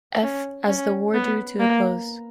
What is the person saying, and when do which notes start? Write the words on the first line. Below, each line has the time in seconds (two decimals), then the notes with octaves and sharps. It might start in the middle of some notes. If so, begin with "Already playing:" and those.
F as the war drew to a close.
0.23 C#4
0.68 C#4
1.14 B3
1.59 A#3